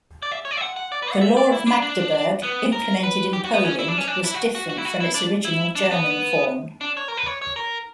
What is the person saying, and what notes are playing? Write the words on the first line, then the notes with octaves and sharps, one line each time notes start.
The Law of Magdeburg implemented in Poland was different from its original German form.
D5
E5
C#5
D5
E5
F#5
F#5
D5
B4
F#5
E5
D5
E4
D4
D4
B3
A#4
B4
G4
F#4
B3
C#4
E4
D4
C#4
D4
E4
F#4
F#4
F#4
E4
F#4
E4
D4
E4
D4
B3
D4
C#5
A#4
B4
C#5
C#5
A#4